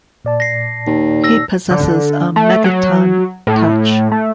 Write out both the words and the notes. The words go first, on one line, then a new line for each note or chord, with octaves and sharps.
He possesses a Megaton Touch.
A#2 D5 A5
A#6 C7
D#2
E6 A#6
D3
A3
F#3
A2
A3